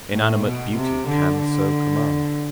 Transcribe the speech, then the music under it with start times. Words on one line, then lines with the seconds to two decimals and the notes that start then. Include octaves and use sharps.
Inanimate beauty can so command.
0.12 A2
0.43 B2
0.75 C3
1.07 D3
1.37 D3